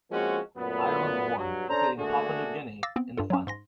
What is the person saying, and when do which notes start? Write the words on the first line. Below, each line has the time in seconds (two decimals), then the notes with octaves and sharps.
Ireland won, defeating Papua New Guinea in the final.
0.11 F3 G#3 A#3 C4 C#4 F#4
0.57 F#2 A#2 A3 B3
1.36 G2 F#3
1.69 C#4 D4 A4 C5 A#5
1.98 D3 A3 A#3 D4 F#4 G#4
2.83 F5 D6 E6 A6 A#6
2.96 B3 C4
3.17 G2 F4 A4
3.30 F#3 C#4
3.47 G#2 C6 A#6